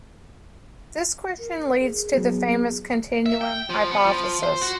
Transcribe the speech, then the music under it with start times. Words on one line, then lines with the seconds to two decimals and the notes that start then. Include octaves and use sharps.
This question leads to the famous continuum hypothesis.
1.39 A#4
1.81 G#4
2.14 F#3 B3
3.26 E5
3.41 G5
3.70 F3
3.91 B3
4.06 F3
4.43 C5
4.61 F#4